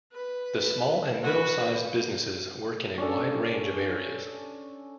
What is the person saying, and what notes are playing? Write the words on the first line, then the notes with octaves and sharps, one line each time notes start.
The small and middle-sized businesses work in a wide range of areas.
B4
F#4 B4
C#4 D4 A4